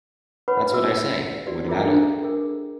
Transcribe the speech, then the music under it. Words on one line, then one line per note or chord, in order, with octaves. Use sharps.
That's what I say: What about it?
B4 C#5 F#5 B5 C#6
F#4 G#4 E5 E6
F#4 G4 D5
F4 G#4 A#4 D5 E5 A#5
D4 G#4 A4 G5
G#4 A#4